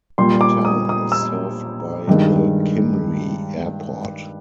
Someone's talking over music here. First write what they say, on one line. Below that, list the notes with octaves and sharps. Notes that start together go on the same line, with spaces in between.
The town is served by the Kimry Airport.
A#2 G3 C6
D6
D#6
D#6
E6
G2 D#3 G#3